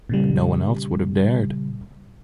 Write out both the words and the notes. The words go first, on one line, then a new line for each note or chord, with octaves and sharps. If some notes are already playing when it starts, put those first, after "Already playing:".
No one else would have dared.
A#2 C#3 G3